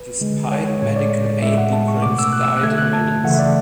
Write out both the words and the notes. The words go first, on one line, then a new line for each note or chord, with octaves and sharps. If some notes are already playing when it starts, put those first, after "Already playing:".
Despite medical aid, the prince died in minutes.
Already playing: B4
D3 G#3
C#5
C#5
A2 G#3 C#5
D5
D5
D5
A2 G#3 E5
F#5
A5
C#6
B2 A3 D6
E6
F#6
E6
F#6
D3 A3 G#6
F#6
A5
C#3 E3 A3 F#5
E5
D5